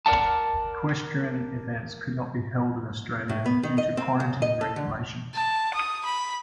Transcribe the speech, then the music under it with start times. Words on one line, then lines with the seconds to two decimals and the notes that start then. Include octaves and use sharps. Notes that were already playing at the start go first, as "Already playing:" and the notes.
Equestrian events could not be held in Australia due to quarantine regulations.
0.06 A#4 D5 F#5 A5
3.29 A2
3.46 B3
3.63 D#3
3.78 D#5
3.97 C4
4.20 C#3
4.42 D#5
4.61 A4
4.76 D3
5.35 A5
5.75 D#6
6.05 B5